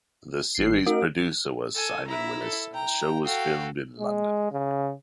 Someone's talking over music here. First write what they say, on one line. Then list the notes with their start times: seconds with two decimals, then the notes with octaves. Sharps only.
The Series Producer was Simon Willis and the show was filmed in London.
0.55 G#1 C7
0.86 A3 D#4 F#4 A#4 D7
1.75 A4 G#5
2.08 E4 E5 A#5
2.43 A4
2.74 G5 A#5
3.25 F#4 A4 F5 G5
3.99 G#3
4.52 C#3